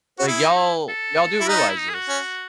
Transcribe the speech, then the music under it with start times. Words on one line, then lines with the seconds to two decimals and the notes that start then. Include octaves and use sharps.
Like, y'all y'all do realize this."
0.19 F#4
0.27 E4 G#4
0.42 D#4
0.57 E4
0.88 A4
1.41 E4
1.48 D#4 B4
1.59 A4
1.69 E4
1.79 D#4
1.89 G#4
1.95 F#4
2.09 C#4